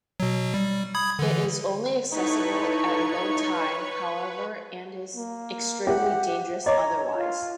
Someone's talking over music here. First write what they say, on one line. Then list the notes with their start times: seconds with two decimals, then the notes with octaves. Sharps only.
It is only accessible at low tide however and is extremely dangerous otherwise.
0.20 B2 F#3
0.54 G3
0.95 B5 D#6 G#6
1.19 D3 E3
2.12 D#4 E4 A4 B4 C#5 C#6
5.16 A#3
5.87 G4 E5 F#5
6.66 C#5 D#5 A#5 D6
7.16 F4